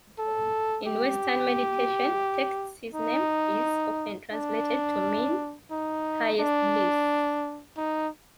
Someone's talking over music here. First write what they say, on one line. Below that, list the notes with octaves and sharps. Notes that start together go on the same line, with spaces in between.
In Western meditation texts his name is often translated to mean "Highest Bliss".
A4
G4
D#4
D4
D#4
D4
D#4